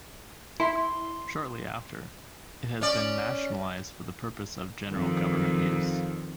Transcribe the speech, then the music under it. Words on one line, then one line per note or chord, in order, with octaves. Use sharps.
Shortly after, it has been "nationalized" for the purpose of general government use.
E4 C6
C#4 D5
F2 D#3